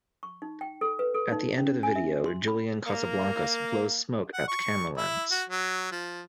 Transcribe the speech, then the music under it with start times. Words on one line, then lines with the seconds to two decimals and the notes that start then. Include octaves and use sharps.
At the end of the video, Julian Casablancas blows smoke at the camera lens.
0.23 C#6
0.42 D#4
0.61 G5
0.81 A4
0.99 B4
1.14 A4
1.32 D#4
1.58 C#4
1.83 G#5
1.95 E5
2.26 C6
2.48 B5
2.87 A#3
4.34 F#5
4.48 C#6
4.97 E4
5.31 F#4
5.49 F#3
5.92 F3